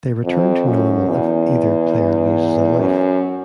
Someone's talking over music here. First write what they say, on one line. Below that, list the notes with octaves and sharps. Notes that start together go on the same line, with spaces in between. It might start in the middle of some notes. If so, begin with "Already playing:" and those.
They return to normal if either player loses a life.
F2
F#2
E2
F#2